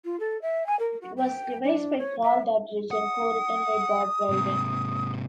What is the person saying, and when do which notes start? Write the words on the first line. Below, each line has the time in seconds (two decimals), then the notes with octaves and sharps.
It was devised by Paul Duddridge and co written with Rob Brydon.
0.04 F4
0.19 A4
0.41 E5
0.66 G#5
0.79 A#4
1.01 F#4
1.17 G5
1.63 D4
1.98 C#5
2.23 E5
2.91 F#5 D#6
4.29 G#2 C3